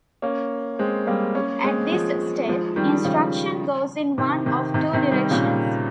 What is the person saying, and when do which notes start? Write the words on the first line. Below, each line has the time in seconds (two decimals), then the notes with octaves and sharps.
At this step, instruction goes in one of two directions.
0.22 A#3 C#4
0.79 G#3 C4
1.07 G3 A#3
1.35 A#3 C#4
1.64 G#3 C4
1.92 F3 G#3
2.48 F3 G#3
2.76 D#3 G3
3.05 C#3 F3
4.18 C3 D#3
4.46 C3 D#3
4.74 C3 D#3
4.93 C3 D#3
5.12 D#3 G3
5.31 A#2 C#3